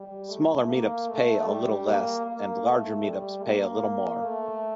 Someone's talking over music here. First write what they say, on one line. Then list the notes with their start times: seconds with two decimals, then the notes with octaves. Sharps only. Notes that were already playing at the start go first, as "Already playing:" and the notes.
Smaller Meetups pay a little less and larger Meetups pay a little more.
Already playing: G3
0.30 A3
0.69 A#3
1.10 A3
1.48 G3
1.88 A#3
2.26 A#3
2.66 A3
3.06 G3
3.45 A#3
4.23 A3